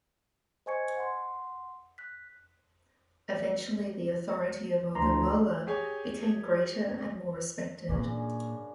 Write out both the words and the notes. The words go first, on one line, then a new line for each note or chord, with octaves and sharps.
Eventually the authority of Ogunlola became greater and more respected.
C5 D#5 G#5 C#6 G#6 C#7
F#5 C6
F#6 B6
D2 A#5 C6
G4 G#4 C#5 G#5
F#2 A#2 C#3 D4